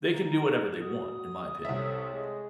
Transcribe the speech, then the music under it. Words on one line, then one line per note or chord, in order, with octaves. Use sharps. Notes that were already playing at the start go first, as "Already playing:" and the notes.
They can do whatever they want, in my opinion,
A#5
F#4 D#6
C2 C3 A4 C#5 E5
G#3